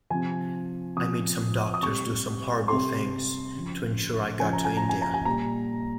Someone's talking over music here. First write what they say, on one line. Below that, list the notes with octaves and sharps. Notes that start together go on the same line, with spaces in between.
I made some doctors do some horrible things to ensure I got to India.
C3 F3 G#5
C3 F3 D#6
D#6
C3 G3 C#6
C3 G3 C6
C#3
F3
C#3 F3 G#5
A#5
G#5
A#5
G#5
A#5
G#5
A#2 G3 A#5